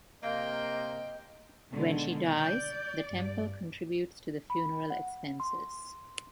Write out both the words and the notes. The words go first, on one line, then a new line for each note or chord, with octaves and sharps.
When she dies, the temple contributes to the funeral expenses.
C3 A#3 D#5 G5 C6
B2 D3 D#3 G#3
D5 G6
G2
B5
F#5
C6